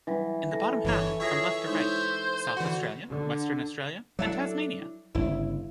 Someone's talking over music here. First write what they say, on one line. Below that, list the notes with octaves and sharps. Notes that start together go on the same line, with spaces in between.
In the bottom half, from left to right: South Australia, Western Australia, and Tasmania.
E3 F#3 G3 B4
A4 A#6
G1 E3 C#5
F4 G#4 C#5 E5 A#6
G#3 D#4 E4 C5
D3 E3 F#4 F#5
D3
F#3 D4 E4 A4
G1 C#3 E4